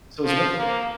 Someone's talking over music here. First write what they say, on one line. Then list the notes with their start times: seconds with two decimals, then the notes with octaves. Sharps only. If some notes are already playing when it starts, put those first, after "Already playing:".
So, it was lit
0.25 F3
0.57 A#3